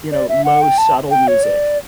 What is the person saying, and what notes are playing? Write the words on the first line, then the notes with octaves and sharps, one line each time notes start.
you know, low subtle music.
D5
E5
F#5
G5
A5
G5
C#5
D5